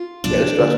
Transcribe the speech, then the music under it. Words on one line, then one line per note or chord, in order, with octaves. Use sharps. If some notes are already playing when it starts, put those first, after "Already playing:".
Yeah, that's stress
Already playing: F4
C2 A#2 F3 D4
D3 A#3